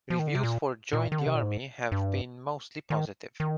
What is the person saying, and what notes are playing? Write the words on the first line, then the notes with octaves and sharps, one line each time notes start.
Reviews for "Join the Army" have been mostly positive.
F3
D#3
D3
C3
A#2
A#2
D#3
D3
C3
A#2
G#2
G2
D#3
D#3